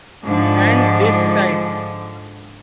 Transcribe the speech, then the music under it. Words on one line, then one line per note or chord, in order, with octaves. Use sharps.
And this site.
G#2 D3 F3